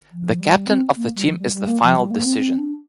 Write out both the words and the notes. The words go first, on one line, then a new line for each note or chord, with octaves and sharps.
The captain of the team is the final decision.
F3
G3
C4
A#3
G3
F3
G3
G3
A#3
F3
G3
A#3
C4
C4
D4